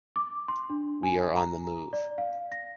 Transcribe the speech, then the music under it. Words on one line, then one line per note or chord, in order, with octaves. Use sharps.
We are on the move.
D6
C6
D4
G#5
A#5
D5
F5
A#6